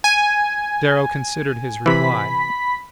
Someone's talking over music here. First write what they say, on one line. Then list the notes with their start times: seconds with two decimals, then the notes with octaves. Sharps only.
Darrow considered his reply.
0.04 G#5
1.86 C3 E3 B5 B6